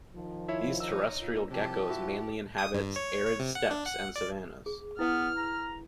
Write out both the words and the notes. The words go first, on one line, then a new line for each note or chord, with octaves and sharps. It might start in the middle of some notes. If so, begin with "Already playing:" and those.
These terrestrial geckos mainly inhabit arid steppes and savannas.
D#3 F3
E4 C#5 E5
D#4 C#5 E6
A#2
C2 C3 F3 G4 A5
E4 F#4 E5
D#6
G2
C#5
C#5
C3
F#5
D4
F#5
D5
G#4
B3 E4 B4 F#5 F6
A#5